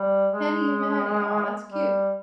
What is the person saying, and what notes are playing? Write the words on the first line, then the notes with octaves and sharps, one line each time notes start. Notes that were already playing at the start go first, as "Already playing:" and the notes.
Penny and Maddie, aw, that's cute.
Already playing: G3
G#3
G3